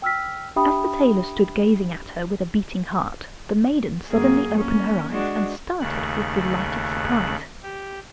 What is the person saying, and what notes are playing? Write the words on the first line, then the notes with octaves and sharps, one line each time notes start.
As the tailor stood gazing at her with a beating heart, the maiden suddenly opened her eyes, and started with delighted surprise.
G5 E6 F6 B6
D4 G4 E5 G5 B5 D#6
F#2 A#3 G#4
A#3 C#4
G#3 D4 F#4
D#2 C#3 A3 F#6
G4